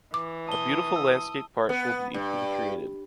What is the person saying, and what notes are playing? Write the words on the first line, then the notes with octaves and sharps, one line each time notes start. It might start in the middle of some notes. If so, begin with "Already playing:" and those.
A beautiful landscape park will equally be created.
E3 D6
A5 D#6 G7
E6
B3
G2